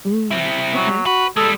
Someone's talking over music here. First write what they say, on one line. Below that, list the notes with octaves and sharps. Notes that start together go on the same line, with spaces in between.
Mm. Okay.
C4 E4
F#3
F#4 B4
G3 G#3 A4